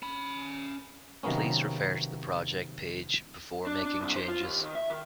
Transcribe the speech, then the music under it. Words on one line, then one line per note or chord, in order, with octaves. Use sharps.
Please refer to the project page, before making changes.
C#4 B5
C3 D#3 F#3 A#3 B3 C#4
D4
D4
C2
C5
F4
D#2
D#3
E5
D#3